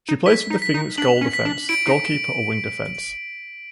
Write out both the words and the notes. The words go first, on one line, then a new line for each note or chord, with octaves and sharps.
She plays for the Phoenix goal defence, goal keeper or wing defence.
D#4
E4 B6
D#4
B6
D#4
D4 F#7
C#4
B6
D4
E4 D7
D#4